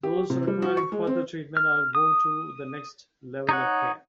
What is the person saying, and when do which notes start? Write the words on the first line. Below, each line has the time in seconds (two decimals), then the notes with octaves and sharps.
Those requiring further treatment are moved to the next level of care.
0.03 G4
0.30 C3
0.47 G3
0.62 F#4
0.77 C#6
0.92 G#3
1.07 C4
1.57 F6
1.95 D#6
3.49 D#4 C#5 F#5